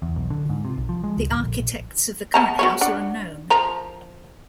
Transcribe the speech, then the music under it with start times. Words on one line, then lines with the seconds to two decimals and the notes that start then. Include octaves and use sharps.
The architects of the current house are unknown.
0.02 E2
0.16 B1
0.30 D3
0.49 G#2
0.65 C3
0.77 B1
0.89 F3
1.04 G#3
1.17 C#2
1.30 D1
1.42 A#1
1.59 A#1
2.34 B3 A5 A#5
2.59 F#4 B4 C#5
2.81 D4 F#5
3.50 F3 A#4 A#5